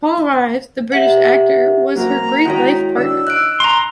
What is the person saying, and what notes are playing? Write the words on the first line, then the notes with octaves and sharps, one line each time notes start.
Paul Rhys, the British actor was her great life partner.
G4 E5 F#5
F#3 A#3 C4 A#5
D#3 G#3 E4 F#4 C#5 G5
D#3 D4 E6
D#4 F#6 D7
A#5 C6